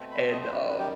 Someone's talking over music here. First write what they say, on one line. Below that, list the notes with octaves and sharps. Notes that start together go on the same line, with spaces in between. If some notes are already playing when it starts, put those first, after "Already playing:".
And, um,
Already playing: B2 A3 C4
B5
D#5
C5
F#2 D#3 G3 B4
B4
G4